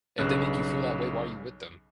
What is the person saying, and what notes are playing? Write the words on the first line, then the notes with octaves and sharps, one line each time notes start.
If they make you feel that way, why are you with them?
B1 G2 C#3 F#6